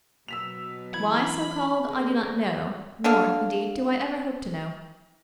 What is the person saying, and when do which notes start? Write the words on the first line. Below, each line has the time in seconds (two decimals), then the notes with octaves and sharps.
Why so-called I do not know, nor, indeed, do I ever hope to know.
0.28 B2 F#3 B3 E6 B6 F7
0.94 E3 B5 G#6
1.87 D3 A3 G#4 A#4
3.04 D3 A4 F5